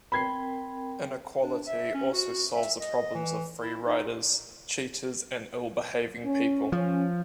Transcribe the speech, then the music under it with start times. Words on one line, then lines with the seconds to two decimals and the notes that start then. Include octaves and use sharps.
Inequality also solves the problems of free-riders, cheaters and ill-behaving people.
0.12 C4 A#4 G5 B5 G#6 C7
1.43 D4
1.67 E5
1.94 C#4
2.13 F#4
2.55 E5
2.80 D#5
3.15 E3
3.62 E4
3.86 D#4
6.25 C#4
6.72 F3 C#4